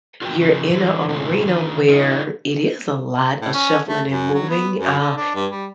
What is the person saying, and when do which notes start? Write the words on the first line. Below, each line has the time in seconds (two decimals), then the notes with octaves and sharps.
you're in a arena where it is a lot of shuffling and moving, uh,
0.22 F4 F#4 A#4 B4 C#5 G5
0.40 C#3 F3
0.70 D3 E3
1.09 A2 C3 G#3 C4 E4 F4
1.46 D#3 D4 B4
1.89 D#4 F4 A#4 B4 D#5
3.42 A2
3.54 C#4
3.88 A3
4.07 F#2
4.34 F#3
4.49 B3
4.78 F#2
4.99 D3
5.17 D4
5.35 G2
5.51 G3